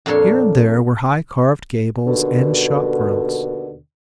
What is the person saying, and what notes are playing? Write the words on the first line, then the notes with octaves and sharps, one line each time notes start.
Here and there were high carved gables and shop-fronts.
F2 A#2 D4 A4 C#5 C6
D#2 B2 D3